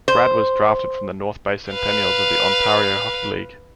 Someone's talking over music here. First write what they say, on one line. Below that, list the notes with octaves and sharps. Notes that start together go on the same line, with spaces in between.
Brad was drafted from the North Bay Centennials of the Ontario Hockey League.
C5
B4 F5